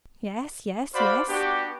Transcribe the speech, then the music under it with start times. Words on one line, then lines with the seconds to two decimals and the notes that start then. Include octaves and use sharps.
"Yes, yes, yes!"
0.94 F#4 C5 D5 F5 B5
1.28 B3 D4 F#4 G4